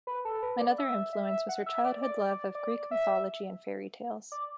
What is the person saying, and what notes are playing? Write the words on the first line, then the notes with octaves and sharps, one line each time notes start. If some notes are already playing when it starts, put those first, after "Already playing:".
Another influence was her childhood love of Greek mythology and fairy tales.
B4
A4
B4
D5
E5
E5
F#5
E5
D5
D5
D5
D5
E5
D5